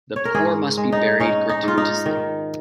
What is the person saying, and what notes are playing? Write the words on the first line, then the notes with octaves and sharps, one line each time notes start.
The poor must be buried gratuitously.
C#5
A#4
G#2 G#4
G#3
D#4
C#4 D#4
D#4
G#2 F4
D#4
D#3